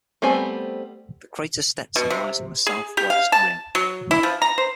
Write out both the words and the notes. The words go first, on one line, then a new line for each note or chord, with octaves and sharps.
The crater Stetson lies on the southwest rim.
G3 A3 B3 C4 G#5
B2
C3
G#4
G4
F5
A5
F#3
E4
F3
A#5
C5